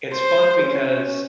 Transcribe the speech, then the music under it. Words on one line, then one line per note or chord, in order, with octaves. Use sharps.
it's fun because
C5
C#4